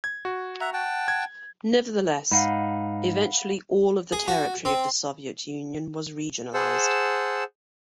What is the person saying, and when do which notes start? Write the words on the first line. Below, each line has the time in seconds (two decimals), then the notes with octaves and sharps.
Nevertheless, eventually all of the territory of the Soviet Union was regionalized.
0.04 G#6
0.25 F#4
0.61 E5 F#5 A#5
0.73 F#5 G5 A5
1.08 G#6
2.32 G#2 D#4 F5 F#5 B5
4.12 G#4
4.28 F#4
4.65 C4
6.54 G#4 C5 F#5 A5 E6